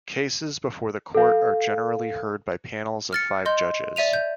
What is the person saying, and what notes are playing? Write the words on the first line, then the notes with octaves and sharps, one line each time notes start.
Cases before the court are generally heard by panels of five judges.
A4 F5
F6 A6 C#7
D#5 C6 G6
D5 E5 D#7 F7
G6